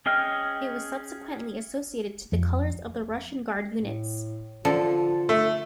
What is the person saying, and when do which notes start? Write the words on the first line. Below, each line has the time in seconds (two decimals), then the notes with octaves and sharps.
It was subsequently associated to the colors of the Russian Guard units.
0.06 C#4 G#4 D#5 G5 F6
2.32 F2
3.78 A2
4.65 D3 F3 F4 A4
5.29 A3